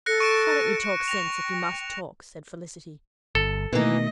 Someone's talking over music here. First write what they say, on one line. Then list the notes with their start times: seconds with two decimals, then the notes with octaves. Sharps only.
"Why don't you talk sense, if you must talk?" said Felicity.
0.06 A4 F#6 A#6 C#7
0.20 C#6 D7 E7
1.08 G5 A#6 F7
3.35 G1 A4
3.73 B2 D#3 E3 A3 A#3 D#5